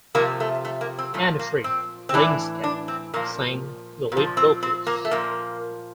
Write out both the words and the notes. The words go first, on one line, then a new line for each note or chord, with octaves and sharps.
Anni-Frid Lyngstad sang the lead vocals.
C3 F3 A#3
A3
A3
A#3
C4
A#2 F3 A3
A#3
C4
C4
A2 E3 D4
D4
C4
A#2 F3 A#3
A#2 F3
C4
C4
A#3
A3
A#2 F3 A#3